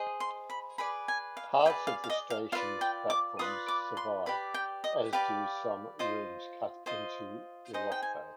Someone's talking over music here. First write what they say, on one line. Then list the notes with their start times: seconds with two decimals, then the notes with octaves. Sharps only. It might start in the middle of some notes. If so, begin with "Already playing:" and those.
Parts of the station's platforms survive, as do some rooms cut into the rockface.
Already playing: G#4 C5 D#5
0.20 C6
0.50 B5
0.78 G#4 B4 D5 B5
1.08 G#5
1.37 F5
1.65 G#4 B4 D5 G5
1.87 F5
2.04 F5
2.10 D#5
2.30 F5
2.52 F4 B4 D5 F5
2.81 G5
3.10 D6
3.39 F4 B4 D5 D#6
3.68 D6
3.97 C6
4.26 G4 B4 D5 B5
4.54 G5
4.84 D#5
5.13 G4 B4 D5 F5
5.99 F4 C5 D#5
6.86 F4 C5 D#5
7.73 D#4 G#4 C5 D#5
7.92 G5
8.02 G#5